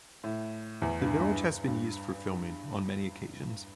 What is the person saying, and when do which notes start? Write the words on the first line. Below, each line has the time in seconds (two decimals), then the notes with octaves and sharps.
The village has been used for filming on many occasions.
0.24 A2
0.82 E2
1.01 G2
1.19 G2
1.68 G2